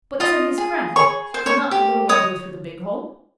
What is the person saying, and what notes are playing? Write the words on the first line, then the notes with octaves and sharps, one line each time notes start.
"But," said his friend, "could not the little one go through the big hole?"
F4 D#5 D#6
G#4
G#4 C#5 C#6
C5
C#5 C#6
G4
C#5 D#5 D#6